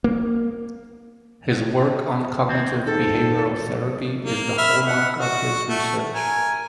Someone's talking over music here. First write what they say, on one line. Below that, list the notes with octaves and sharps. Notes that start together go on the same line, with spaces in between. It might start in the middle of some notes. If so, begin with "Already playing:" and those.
His work on cognitive behavioral therapy is the hallmark of his research.
A#3
D#2 C4
G#2 A4
A#3
E5 B5 F6
F#5
F#4
A3
A#4 G#5